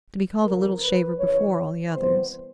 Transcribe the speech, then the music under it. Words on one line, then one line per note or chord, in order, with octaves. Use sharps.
To be called "a little shaver" before all the others!
F2 C#3 F3 A#4
B4
F#2 C#3 E3 C#5
C3 E3 G3 B3 C5